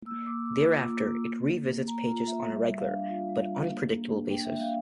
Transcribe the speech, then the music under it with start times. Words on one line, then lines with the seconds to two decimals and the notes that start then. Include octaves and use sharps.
Thereafter it revisits pages on a regular, but unpredictable basis.
0.06 A#3 E6
0.26 A#3 D6
0.46 A#3 D6
0.67 F4
0.86 A#3
1.08 A#3
1.28 A#3
1.47 A#3
1.68 A#3
1.88 A#3 A#5
2.07 F4 A#5
2.27 A#3 E5
2.48 G3 E5
2.68 G3
2.78 F5
2.88 D4
3.09 F4
3.29 G3
3.48 D4
3.69 A#3
3.89 A#3
4.09 D4
4.29 D4 G5
4.45 E5
4.50 A#3
4.60 F5